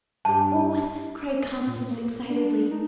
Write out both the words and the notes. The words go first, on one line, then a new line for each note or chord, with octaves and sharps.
"Oh," cried Constance excitedly.
G2 D4 G4 A5
A#2
A#3
D4
D#4